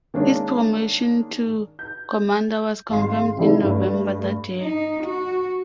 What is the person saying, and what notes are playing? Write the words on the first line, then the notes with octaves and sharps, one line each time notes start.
His promotion to Commander was confirmed in November that year.
D#3 G#3 A#3 C#4 D4
G6
G#1 G#3 F5 C6 C7
C3 E3 G3 D#4 E4 A4
G2 A3
D#4
F#4